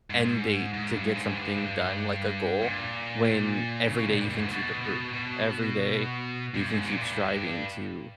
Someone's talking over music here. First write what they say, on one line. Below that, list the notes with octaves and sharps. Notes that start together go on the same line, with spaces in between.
end date to get something done, like a goal, when every day you can keep improving. Every day you can keep striving to
G#2
G#2
G2
G#2
G2
A#2
A#2
C#3
A#2
G2
G2
G#2
B2
B2
B2
G2
G#2
A#2
G2